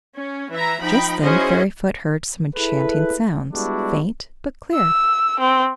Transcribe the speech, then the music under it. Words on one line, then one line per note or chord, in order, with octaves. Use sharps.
Just then Fairyfoot heard some enchanting sounds, faint, but clear.
C#4
E3 E5 A#5
F3 D#4 G5 B5
C#4 E4 F#4 G#4 C5 D#5
E4 G#4 A4 B4
G3 G#3 B3 D4 E4 F#4
E6
C4